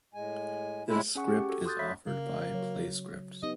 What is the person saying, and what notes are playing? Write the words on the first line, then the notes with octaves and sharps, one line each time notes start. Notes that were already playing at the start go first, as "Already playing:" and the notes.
This script is offered by Playscripts.
A2 G#3 G#5
A2 G#3 C4 E4
C#4 G#4 F#5 C#6
G4
F#4 A4
C6 D6 D#6 F#6 G6 A6
C#5 E5 B5 B6
C#3 A#3
F#3 C#5
B3 D#4 G4 D#5